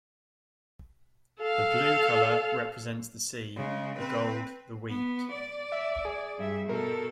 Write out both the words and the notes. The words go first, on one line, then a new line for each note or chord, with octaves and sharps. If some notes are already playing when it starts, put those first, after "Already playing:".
The blue colour represents the sea, the gold the wheat.
A4 F5
C#3 G#3
C4 B4
B3
D5
E5
G#4
G2 E5
B2 A4 A#4